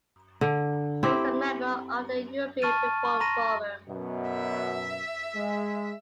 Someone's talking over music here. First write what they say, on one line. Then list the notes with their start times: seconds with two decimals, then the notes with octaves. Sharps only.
He was a member of the European Reform Forum.
0.41 D3
1.03 C4 E4 G4
2.62 A5 C#6 F6 A6 D#7
3.05 C#6
3.20 A#5 C6 A#6 D#7
3.89 F#2 B2
4.29 E5
5.36 G#3